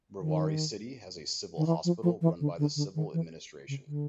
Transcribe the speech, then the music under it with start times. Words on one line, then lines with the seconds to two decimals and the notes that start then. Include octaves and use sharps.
Rewari city has a civil hospital run by the civil administration.
0.21 D#3
1.57 D#3
1.67 E3
1.85 F3
2.03 F3
2.21 E3
2.40 D3
2.59 D3
2.76 D3
2.95 D#3
3.13 E3
3.68 C#3
3.87 D3